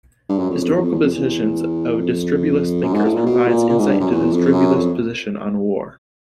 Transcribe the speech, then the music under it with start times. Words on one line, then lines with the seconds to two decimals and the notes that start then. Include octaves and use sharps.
Historical positions of distributist thinkers provides insight into a distributist position on war.
0.29 G2
0.39 F#2
0.50 F2
0.61 F2
0.71 E2
0.82 F2
0.92 E2
1.03 F2
1.13 E2
1.98 F2
2.83 F#2
2.94 G#2
3.05 A2
3.15 A#2
3.26 B2
3.47 A#2
3.69 A#2
3.79 G#2
3.89 G2
4.00 F#2
4.11 E2
4.33 F2
4.53 F#2
4.75 F2